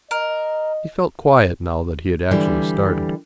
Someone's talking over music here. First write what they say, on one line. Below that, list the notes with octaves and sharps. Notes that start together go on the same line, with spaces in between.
He felt quiet now that he had actually started.
A#4 D#5
D3 E3 G3